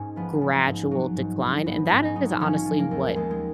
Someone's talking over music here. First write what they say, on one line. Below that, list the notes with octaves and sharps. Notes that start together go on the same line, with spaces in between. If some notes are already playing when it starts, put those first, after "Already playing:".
gradual decline, and that is honestly what
Already playing: G#2 C#4 D#4
F3 B3
F3
G#2
F#3
G#2
G#2
G#2 B3
G#2 C#4
F#3 D#4
F3 C#4
F3
A#3
D#2
D#2 G#3
G#3